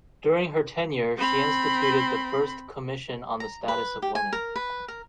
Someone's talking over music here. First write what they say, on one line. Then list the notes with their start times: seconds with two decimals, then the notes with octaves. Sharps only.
During her tenure, she instituted the first Commission on the Status of Women.
1.17 C4 B5
3.40 A#5
3.68 B4
4.02 G4
4.15 G#5
4.33 A#4
4.56 B4
4.88 A#4